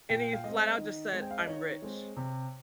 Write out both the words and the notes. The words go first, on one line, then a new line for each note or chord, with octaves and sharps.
and he flat out just said, "I'm rich."
A#2 G5
F5
G#3 C4 D#5
D#3
G#3 C4
G5
F5
D#5
D#3 C#5
G#3 C4
C3